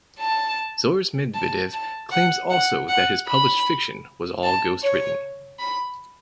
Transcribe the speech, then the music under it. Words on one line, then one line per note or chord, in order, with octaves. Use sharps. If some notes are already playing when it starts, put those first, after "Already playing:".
Zhores Medvedev claims also that his published fiction was all ghost written.
A5
A5
A5
F#5
F#5
F#5
B5
A5
C#5
B5